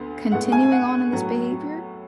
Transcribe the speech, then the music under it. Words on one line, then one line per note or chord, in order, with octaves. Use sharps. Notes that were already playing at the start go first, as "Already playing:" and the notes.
continuing on in this behavior,
Already playing: D2 D3 B3
A2 G#3 B3 F#5
G#5
F#5
A2 F#3 B3